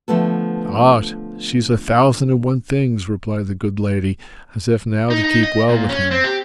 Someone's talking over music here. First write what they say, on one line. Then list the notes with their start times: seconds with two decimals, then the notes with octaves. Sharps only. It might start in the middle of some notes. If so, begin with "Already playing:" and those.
"Ah she's a thousand and one things!" replied the good lady, as if now to keep well with him.
0.08 D3 F3 A3 B3 A4
5.10 D#4
5.24 D#4
5.43 D#5
5.69 A#2
5.89 C#4
6.11 C4
6.24 G4